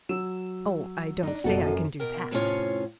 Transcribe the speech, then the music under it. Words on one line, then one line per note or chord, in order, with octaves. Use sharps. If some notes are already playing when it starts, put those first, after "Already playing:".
"Oh, I don't say I can do that."
F#3 E6 E7
D4 D#4
F#1 B2 F#4 A4 D#5
F#2
B2 A#4 G5
F2 A2 C3 C#4 F4 C#5